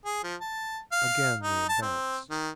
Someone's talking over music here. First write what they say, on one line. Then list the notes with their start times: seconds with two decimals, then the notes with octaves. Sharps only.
Again we advanced.
0.05 G#4
0.23 F3
0.40 A5
0.92 F5
1.43 D#4
1.68 A5
1.82 C4
2.30 D#3